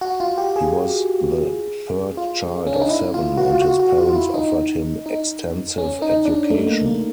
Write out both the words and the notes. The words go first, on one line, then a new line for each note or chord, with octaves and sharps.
He was the third child of seven and his parents offered him extensive education.
F#4
F4
G4
G#4
F4
C#4
D4
D#4
E4
F4
F#4
F4
F#4
F#4
F4
F4
E4
D#4
D#4
C#4
D#4
D4
A3
A#3
A#3